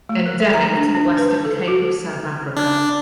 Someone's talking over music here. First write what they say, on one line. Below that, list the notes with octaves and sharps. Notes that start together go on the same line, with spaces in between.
Endemic to the Western Cape of South Africa.
A3
A#4
E5
A#5
D4
D4
B4
A5
A4
F#4
D4